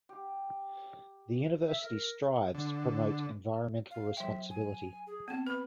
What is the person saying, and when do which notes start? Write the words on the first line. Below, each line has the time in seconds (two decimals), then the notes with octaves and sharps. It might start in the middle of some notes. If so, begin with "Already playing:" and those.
The university strives to promote environmental responsibility.
0.09 G4
1.68 E5
1.82 A#4
2.54 D3
3.91 F5
4.17 F#3 E5 G5
4.50 G#5
5.07 G#4
5.28 B3 C4 A5
5.47 B4 B5